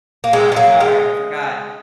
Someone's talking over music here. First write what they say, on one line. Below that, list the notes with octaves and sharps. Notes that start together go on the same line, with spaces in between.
Sorry, sorry, I forgot.
A#3
G#3
G#3
F#3 A#3
G#3